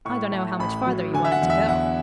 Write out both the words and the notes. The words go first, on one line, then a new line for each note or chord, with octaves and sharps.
I don't know how much farther you want it to go.'
A2 C#6
A3
A1 B5
F#3
D3 G#5
E5
F#5
E2
E5
E2 F#5